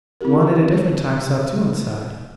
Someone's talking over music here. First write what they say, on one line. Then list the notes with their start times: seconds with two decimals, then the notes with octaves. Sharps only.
One at a different time saw two inside.
0.21 C4 E4 F#4 G4 A#4